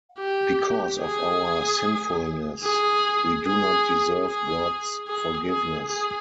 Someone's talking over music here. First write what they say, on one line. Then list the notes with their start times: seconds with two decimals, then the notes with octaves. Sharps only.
Because of our sinfulness, we do not deserve God's forgiveness.
0.19 G4
1.01 G#4
2.63 G#4
3.44 G#4
4.25 G#4
5.07 G#4
5.48 G#4
5.89 G#4